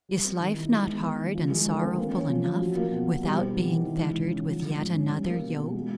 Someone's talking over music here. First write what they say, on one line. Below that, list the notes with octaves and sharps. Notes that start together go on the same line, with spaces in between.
Is life not hard and sorrowful enough without being fettered with yet another yoke?
G3
C4
D#3
E4
G#3
B3
D#3
D#3
F3
G#3
D3
C4
A#3
C#4
F3
F3
F#3
A#3
B2
B2
G3
C4
D#3
D#3
E3
G#3
C#3
C#4
F3
G#3
G#2
C#4
G3
A#3
B2
B2
G#3